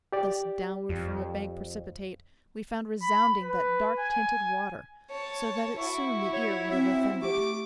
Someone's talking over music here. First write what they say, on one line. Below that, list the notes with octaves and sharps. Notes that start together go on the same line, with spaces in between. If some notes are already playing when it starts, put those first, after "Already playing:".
Thus downward from a bank precipitate, We found resounding that dark-tinted water, So that it soon the ear would have offended.
G4 D5
F2
B5
B4
G#5
C#5 A5
E4 F#4 C#6
C#5
C4 E5
A3 G4 D6